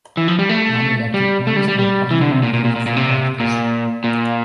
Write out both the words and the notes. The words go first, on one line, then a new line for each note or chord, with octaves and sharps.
Nonelectric ones are primarily used for practice.
E3
F3
G3
A3
G3
A3
G3
G3
G3
E3
D3
C3
A#2
A#2
A#2
A#2
A#2
C3
A#2
A#2